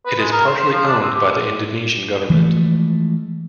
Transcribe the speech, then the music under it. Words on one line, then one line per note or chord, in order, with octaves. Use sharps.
It is partially owned by the Indonesian government.
B4
G#3
A#4
C5
C5
F3
D4
C4
G4
E3 F3 G#3 A3